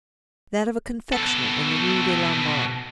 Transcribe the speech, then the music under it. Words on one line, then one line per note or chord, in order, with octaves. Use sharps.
"That of a confectioner, in the Rue des Lombards."
B2 A4